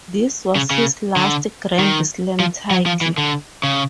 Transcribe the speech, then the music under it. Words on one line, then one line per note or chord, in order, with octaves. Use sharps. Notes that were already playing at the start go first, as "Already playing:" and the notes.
This was his last Grand slam title.
C#3
C#3
D3
D#3
F3
F#3
F3
E3
D3
C#3